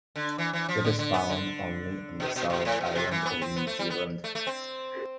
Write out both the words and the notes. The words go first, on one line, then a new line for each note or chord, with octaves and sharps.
It is found only on the South Island of New Zealand.
D3
E3
E3
F3
D3
D3
B3
D3
B2
B2
B2
A2
B2
C3
E3
B3
C4
B3
A3
G3
B3
A3
A3
C4